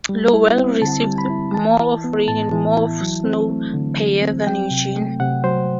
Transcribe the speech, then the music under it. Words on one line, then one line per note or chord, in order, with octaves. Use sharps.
Lowell receives more of rain and more of snow per year than Eugene.
G3
E4
C4
D3 A5
G3
B5
E4
E3 A5
E4
B3
A2 A5
E3
E4
F#3
C4
A3
D3
F#3
C4
F#3 G5
C3
A3
C3 F#5
F#3 C5